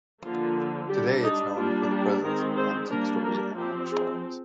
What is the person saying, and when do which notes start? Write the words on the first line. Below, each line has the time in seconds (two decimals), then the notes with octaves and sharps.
Today it is known for the presence of antique stores and Amish farms.
0.23 D3 F3 A#3 F4
0.89 G3 D4 G4
1.23 D#4
1.56 G3 A#3 D4 F4
1.90 G4
2.23 D#3 G#3 C4 A#4
2.57 C5
2.90 G3 A#3 D4 A#4
3.24 A#4
3.57 F3 C4 G4
3.91 G#4